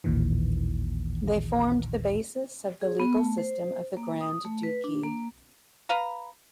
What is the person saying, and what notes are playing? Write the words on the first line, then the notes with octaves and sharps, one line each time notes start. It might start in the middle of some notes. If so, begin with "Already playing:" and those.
They formed the basis of the legal system of the Grand Duchy.
A1 D#2 A#2 D#3 E3
G#4
B3
A3
C5
A#3
D#6
A3
B4
D4
A#3
B4 F5 A#5